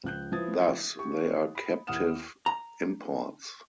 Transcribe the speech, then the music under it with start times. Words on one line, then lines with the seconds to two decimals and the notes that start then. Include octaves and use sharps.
Thus, they are captive imports.
0.04 C#2 F3 F#6 G6
0.32 F3 E4 B4 D#6 G#6 A6
0.98 G4 C#6
1.55 B5
1.87 D#2 E4 F#5 D#6 F6 E7
2.46 A#5